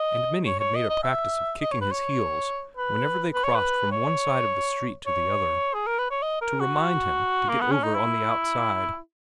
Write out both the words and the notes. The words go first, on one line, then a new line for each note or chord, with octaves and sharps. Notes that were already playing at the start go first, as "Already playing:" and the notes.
And Minnie had made a practice of kicking his heels, whenever they crossed from one side of the street to the other, to remind him to get over on the outside.
Already playing: D#5
C#5
C#5
D#5
D#5
E5
D#5
C#5
B4
C#5
B4
B4
C#5
B4
C#5
C#5
G#4
A#4
B4
C#5
D#5
A#4
F#4
A#3
B3
C#4
D#4
E4